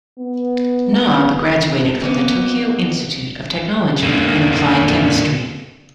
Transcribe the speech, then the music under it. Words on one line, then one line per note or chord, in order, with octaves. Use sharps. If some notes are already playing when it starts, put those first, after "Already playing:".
Nob graduated from the Tokyo Institute of Technology in applied chemistry.
B3
F2 A#3 B3
D3 A#3